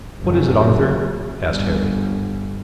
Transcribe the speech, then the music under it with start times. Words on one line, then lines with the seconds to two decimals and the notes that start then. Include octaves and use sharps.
"What is it, Arthur?" asked Harry.
0.21 F#1 F#2
1.49 G1